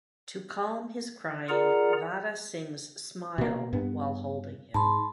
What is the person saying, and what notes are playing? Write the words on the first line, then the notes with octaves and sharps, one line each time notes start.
To calm his crying, Vada sings "Smile" while holding him.
F4 G#4 A#4 D5 F#5 A#5
B2 A#3
G2 B3
G#2 A5 B5 C6